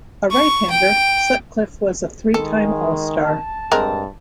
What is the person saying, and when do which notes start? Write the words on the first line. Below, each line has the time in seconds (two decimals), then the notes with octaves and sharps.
A right-hander, Sutcliffe was a three-time All-Star.
0.31 C#6
0.71 G5
2.34 D#3 G#3 A4
3.23 A5
3.72 G2 G#3 C4 A#4